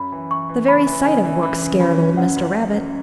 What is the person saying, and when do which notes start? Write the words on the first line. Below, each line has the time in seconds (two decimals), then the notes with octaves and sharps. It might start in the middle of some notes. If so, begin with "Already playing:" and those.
The very sight of work scared old Mr. Rabbit.
Already playing: F#2 B5
0.12 E3
0.31 E3 C#6
0.49 E3
0.68 C#3 B5
0.87 E3
1.05 C#3 G#5
1.24 E3
1.43 E3 B5
1.62 C#3
1.80 C#4 B5
1.99 C#4
2.17 F#2 F#5
2.36 F#2